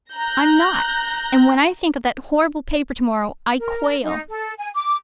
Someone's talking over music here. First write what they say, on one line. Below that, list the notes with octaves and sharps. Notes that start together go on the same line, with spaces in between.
I'm not--and when I think of that horrible paper tomorrow I quail.
A#5 F#6 G6 A#6
A#4
D#4
A4
G#5
D6